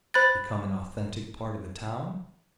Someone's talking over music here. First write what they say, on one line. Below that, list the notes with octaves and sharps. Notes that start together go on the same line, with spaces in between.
Become an authentic part of the town?
C5 B5 F#6 A6